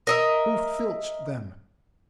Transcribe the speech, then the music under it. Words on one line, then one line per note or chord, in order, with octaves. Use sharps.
Who filched them?
A#4 D#5 E5